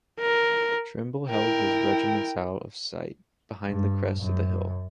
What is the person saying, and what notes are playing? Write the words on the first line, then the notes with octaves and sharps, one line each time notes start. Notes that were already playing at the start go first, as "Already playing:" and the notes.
Trimble held his regiments out of sight behind the crest of the hill.
A#4
E4 A#4 G5
G2
F#2